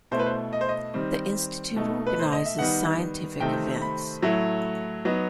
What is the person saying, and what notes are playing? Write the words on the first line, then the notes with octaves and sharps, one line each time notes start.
The institute organizes scientific events.
B2 A3 E4 C5
B4
C5
D#5
C5
D#5
D#3 G3 C4
B2 A3 D#4
B4
C5
D#5
E5
D#3 G3 B3 D#4 F#5
C3 D#3 A3 C4 G5
B5
A2 F#3 A3 E4
F#3 B3 D#4